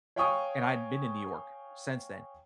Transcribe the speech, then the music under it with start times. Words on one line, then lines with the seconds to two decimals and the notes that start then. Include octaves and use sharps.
and I hadn't been to New York since then,
0.16 C#5 F5 G5 G#5 C#6 D#6